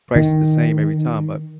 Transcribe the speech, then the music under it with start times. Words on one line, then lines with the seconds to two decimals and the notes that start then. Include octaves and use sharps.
prices the same every time. But,
0.16 D#3